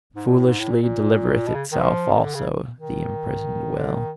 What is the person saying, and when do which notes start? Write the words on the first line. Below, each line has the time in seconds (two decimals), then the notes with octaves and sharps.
Foolishly delivereth itself also the imprisoned Will.
0.15 G#2
0.27 A#2
0.38 A2
0.48 G#2
0.60 A2
0.71 A#2
0.82 A#2
1.47 B2
1.55 C#3
1.72 D#3
1.80 F3
2.12 D#3
2.24 D3
2.35 C#3
2.79 D#3
3.77 D3
3.94 D#3